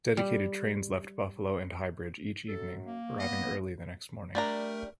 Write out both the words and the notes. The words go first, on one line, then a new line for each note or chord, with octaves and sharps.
Dedicated trains left Buffalo and Highbridge each evening arriving early the next morning.
G3
F#2 A4
A#3
B3 D#5
G3 A3 D4 A#4 A#5